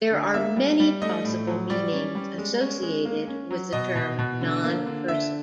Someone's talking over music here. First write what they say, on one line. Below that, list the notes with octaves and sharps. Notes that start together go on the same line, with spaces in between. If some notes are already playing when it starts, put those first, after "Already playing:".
There are many possible meanings associated with the term "nonperson".
D3
A#3 E5
G3
G3
A3 D#5
A2
F#3
G3 D5
C#4
G3
G#3
C#4
G#3
A#3
C#4
F#3
B2 D#5
B2
B2
D3
A#3
D3
D3 E5